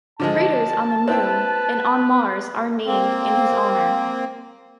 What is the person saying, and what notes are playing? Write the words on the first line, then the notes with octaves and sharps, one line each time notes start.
Craters on the moon and on Mars are named in his honor.
D3 F3 G#3 A5
C4 E4 B4 G5
A#3 C4